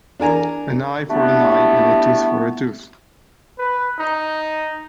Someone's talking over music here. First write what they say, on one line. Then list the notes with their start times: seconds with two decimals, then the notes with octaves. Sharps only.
An eye for an eye and a tooth for a tooth.
0.20 D4 A#4 G#5 A#5
1.09 G3 A3 B3 D4 E4 F#4
3.58 B4
3.98 D#4